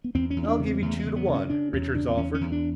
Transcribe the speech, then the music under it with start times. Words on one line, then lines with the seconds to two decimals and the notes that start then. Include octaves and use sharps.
"I'll give you two to one," Richards offered.
0.04 B3
0.15 E2 C4
0.30 C#4
0.36 E2
0.43 C#4
0.48 D4
0.59 C#3
0.66 C4
0.82 E2 A3
0.99 G#3
1.05 C#3
1.16 B3
1.28 C#3
1.34 C#4
1.50 C#3 D4
1.73 E2 C#4
1.95 C#3 D4
2.10 C4
2.17 E2 C#4
2.34 C#4
2.41 E2
2.52 D4